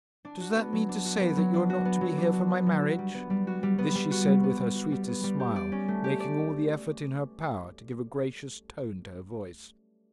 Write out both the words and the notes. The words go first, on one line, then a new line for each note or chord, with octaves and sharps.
'Does that mean to say that you are not to be here for my marriage?' This she said with her sweetest smile, making all the effort in her power to give a gracious tone to her voice.
D4
F#4
B3
F#3
D4
F#4
B3
F#3
D4
F#4
B3
F#3
D4
F#4
B3
F#3
F#4
G3
B3
G3
F#4
G3
B3
G3
F#4
G3
B3
G3
F#4
G3
B3
G3
G4
D5
C#4
A3
G4
D5